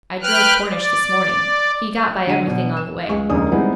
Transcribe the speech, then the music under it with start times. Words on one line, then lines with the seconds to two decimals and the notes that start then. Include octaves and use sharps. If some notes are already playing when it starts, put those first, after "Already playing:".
I drove Cornish this morning; he got by everything on the way.
0.22 B4 G5 F6 F#6
0.69 D5
2.27 D3 F#3 D#7
2.46 B2 D4
2.77 E7
3.09 C#2 G#3 C#6
3.29 F1 D#2 C#3 G#3 D4 D#6
3.52 G3 G#3 B3 C4 D#4 E4